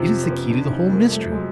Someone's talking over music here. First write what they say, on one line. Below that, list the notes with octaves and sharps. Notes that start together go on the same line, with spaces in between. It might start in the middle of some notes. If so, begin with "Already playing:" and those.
It is the key to the whole mystery.
Already playing: F2 C3 F3
C4
B3 C#4
C4 D4
E4
C#4 D#4
G#3 A#3
G3 A3
A3
F#3 G#3